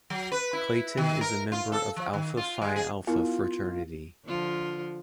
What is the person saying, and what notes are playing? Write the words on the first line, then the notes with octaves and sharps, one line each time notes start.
Clayton is a member of Alpha Phi Alpha fraternity.
F#3
B4
E4
D#3
A#4
F4
A4
F3
D#3
F4
G#3
G#4
B3 E4 F4 A#4
D3 F3 F4